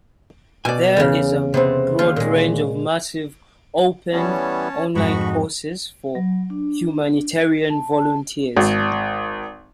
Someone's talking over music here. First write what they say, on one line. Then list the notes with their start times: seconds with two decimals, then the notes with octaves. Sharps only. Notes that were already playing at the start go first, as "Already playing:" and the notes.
There is a broad range of massive open online courses for humanitarian volunteers.
0.65 B2 D5 G#5
0.97 E2 C#3
1.54 C3 B3 C4
1.99 D#2 F4
2.16 A#2 G#3
4.12 E3 G3 B3 C#4 C#5 A5
4.95 F2 G#2 D#4 F#4 B5 C#6
6.15 F#3
6.50 D4
7.70 A5
8.57 G#1